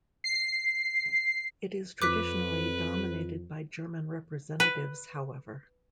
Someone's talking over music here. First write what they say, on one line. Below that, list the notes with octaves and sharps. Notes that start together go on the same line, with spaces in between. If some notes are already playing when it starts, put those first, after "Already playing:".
It is traditionally dominated by German representatives, however.
C7
F2 B4 D6 F#6 B6
B4